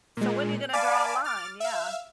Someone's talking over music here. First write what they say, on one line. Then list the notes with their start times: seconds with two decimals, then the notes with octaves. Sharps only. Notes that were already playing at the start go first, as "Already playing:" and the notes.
So, when you gonna draw a line? Yeah.
0.17 A#2 G#3
0.73 D5 F5 G#5 A5 B5 D6
1.24 D6 F6 A6
1.60 E5 F5